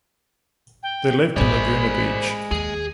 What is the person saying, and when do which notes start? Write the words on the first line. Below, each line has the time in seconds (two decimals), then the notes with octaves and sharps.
They lived in Laguna Beach.
0.83 G5
1.37 A1 A2 G#3 C5 D5 B5
2.51 D#2 G#4